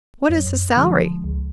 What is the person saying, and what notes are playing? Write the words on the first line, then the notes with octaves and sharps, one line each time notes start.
"What is his salary?"
F#2
D3 F3 G#3
C#2